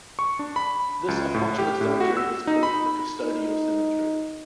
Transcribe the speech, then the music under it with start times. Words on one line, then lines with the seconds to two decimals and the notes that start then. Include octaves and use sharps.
This approximate symmetry is called the custodial symmetry.
0.19 C#6
0.39 D4
0.56 B5
1.08 C#2
1.34 A2
1.58 G4
1.81 A2
2.00 F#4
2.17 E6
2.47 D#4
2.63 B5
3.22 D#4